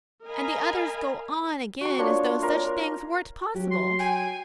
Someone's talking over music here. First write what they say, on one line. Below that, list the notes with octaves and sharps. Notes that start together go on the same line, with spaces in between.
And the others go on again as though such things weren't possible.
A#4 D#5 F5 G#5 A#5 B5
F#4 C#6
A#3 D4 F4 C#5
F4 A#4
F#3 F#4 G4
C6
G5 G#5